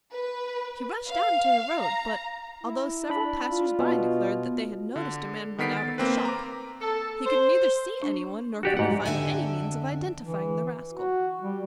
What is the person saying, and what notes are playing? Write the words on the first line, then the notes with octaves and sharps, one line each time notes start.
He rushed out into the road, but, although several passers-by declared that they had noticed a man run out of the shop, he could neither see anyone nor could he find any means of identifying the rascal.
B4
F5
A#5
E4
D4 B5
F4
B2
D3
D#3 B3 A4 B6 C7 D7
A6
A#3 C4 B4
A#5 D6
A4
C5
D4
F#4 G4 D5
G#2 F#4 F#5
F2 D3 D4 E5 G5 G#5
E3
F#4
G3